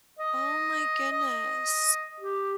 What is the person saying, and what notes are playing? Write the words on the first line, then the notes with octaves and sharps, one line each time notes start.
Oh my goodness.
D#5
D#5
G4